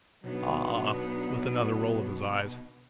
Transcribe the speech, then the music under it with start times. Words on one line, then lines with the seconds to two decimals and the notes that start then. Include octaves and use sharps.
'Ah!' with another roll of his eyes.
0.24 B2 F#3 B3 D4 D#4